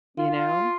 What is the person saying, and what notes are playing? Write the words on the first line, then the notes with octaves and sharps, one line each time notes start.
You know?
F4